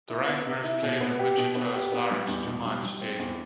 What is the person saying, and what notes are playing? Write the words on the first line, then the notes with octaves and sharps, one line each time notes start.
The Wranglers played in Wichita's Lawrence-Dumont Stadium.
E4
B3
C3
E4
B2
B3
G4
B2
B3
G4
B3
G3
E2
B2
G3
G3
C4
E2